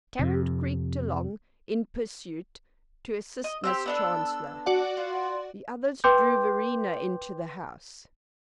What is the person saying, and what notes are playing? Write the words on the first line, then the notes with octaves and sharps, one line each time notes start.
Tarrant creaked along, in pursuit, to assist Miss Chancellor; the others drew Verena into the house.
F2 C3
D#5
C4 D4 G4 E6
B3 D4 A4
F#4 D5 F#5
F4
B4 G5 C6 D6 G6